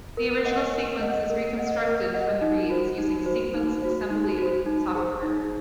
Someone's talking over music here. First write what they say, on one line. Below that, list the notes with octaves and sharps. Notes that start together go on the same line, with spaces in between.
The original sequence is reconstructed from the reads using sequence assembly software.
A#4
D#5 F#5
A#4
D#5 F#5
A#4
D#5 F#5
A#4
D#5 F#5
D#4
F#4 C5
D#4
F#4 C5
D#4
F#4 C5
D#4
F#4 C5
D#4
G#4 C5
D#4